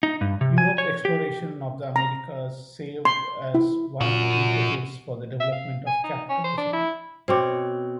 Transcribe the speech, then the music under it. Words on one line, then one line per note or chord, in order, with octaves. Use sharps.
Europe's exploration of the Americas served as one impetus for the development of capitalism.
D#4
G2
C3
G#5
C#5
G4
A#5
C6
E4
A#2 C#4 F#4
E5
F5
G#5
D#4
C#4
C5
D4
E4
B2 C4 C5 C#5 D6